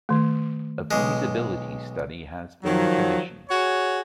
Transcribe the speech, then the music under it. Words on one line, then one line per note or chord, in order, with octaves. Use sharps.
A feasibility study has been commissioned.
D#3 A3
B1 G#3
D#3 F3 F#3
F#4 G#4 C#5